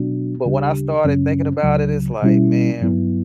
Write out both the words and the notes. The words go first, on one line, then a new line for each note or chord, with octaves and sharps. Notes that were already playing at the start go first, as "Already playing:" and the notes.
but, when I started thinking about it it's like, man,
Already playing: B2 F#3 B3 D4 F#4
D2 C#3 G3 D4 G4
F#2 C#3 F#3 C#4
C#2 C#3 F#3
B2 G3 C#4 E4
G2 F#3 B3 E4